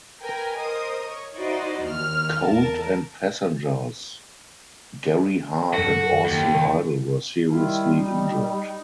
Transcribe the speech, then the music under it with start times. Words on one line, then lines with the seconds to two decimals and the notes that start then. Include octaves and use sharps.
Colt and passengers Gary Hart and Austin Idol were seriously injured.
0.22 A#4 B4 G5 G#5 A#5
0.59 A#4 C5 D#5 D#6
1.06 C#5
1.37 D#4 E4 F#4 C5 D5 D#5
1.83 D#2 F6
2.43 E2 A#4 A5
5.74 F#2 F#4 A4
6.26 D#2
7.49 D#3 G3 E4 F4
7.95 D#4